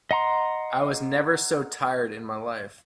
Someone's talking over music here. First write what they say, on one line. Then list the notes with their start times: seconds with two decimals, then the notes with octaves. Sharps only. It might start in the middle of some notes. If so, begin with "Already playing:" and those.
I was never so tired in my life.
0.11 D#5 F#5 A#5 C6